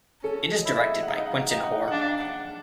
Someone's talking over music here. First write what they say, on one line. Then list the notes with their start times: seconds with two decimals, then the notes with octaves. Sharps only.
It is directed by Quintin Hoare.
0.23 C#4 A4
0.52 D#5
0.65 E4
0.74 E5
0.80 D#5
1.03 F#5
1.08 D#4 F5
1.26 F#5
1.36 F5
1.50 D#4
1.57 G5
1.63 F#5
1.88 F#5
1.91 D4 F5
2.20 F#5